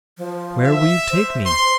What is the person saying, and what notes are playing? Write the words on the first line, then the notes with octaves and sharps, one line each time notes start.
"Where will you take me?"
F3
E5
C5
C6